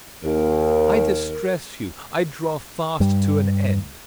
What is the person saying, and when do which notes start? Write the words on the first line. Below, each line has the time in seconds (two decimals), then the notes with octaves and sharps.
I distress you; I draw fast to an end.
0.23 D#2 A#4
3.00 G2 G3